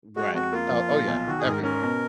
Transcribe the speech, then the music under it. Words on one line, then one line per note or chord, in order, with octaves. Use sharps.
Right, oh oh yeah, everywhere.
G#3 F#4
F2 F#4
A#3 F4
F3
A#2
B1
D#3 F#4
G#4
G#2
A#4
C#4 A#4
B2